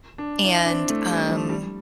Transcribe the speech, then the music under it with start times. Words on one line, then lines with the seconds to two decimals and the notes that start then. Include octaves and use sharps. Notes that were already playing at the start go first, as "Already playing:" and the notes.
and, um,
0.18 D4
0.45 E4
0.66 D4
0.70 C4
0.90 A3
1.09 G3
1.30 F3
1.49 G3